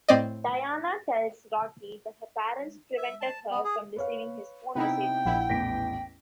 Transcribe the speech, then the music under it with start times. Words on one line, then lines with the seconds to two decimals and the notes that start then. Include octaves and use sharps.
Diana tells Rocky that her parents prevented her from receiving his phone messages.
0.09 A2 C4 D5 D#5
2.98 E5
3.21 A5
3.51 B3
3.64 G#4
3.96 B4 C#5 F5
4.75 C3 B3 D#4 E4 G5
5.26 A#1 E4 F#5
5.49 A1 E2 A#6 B6 D7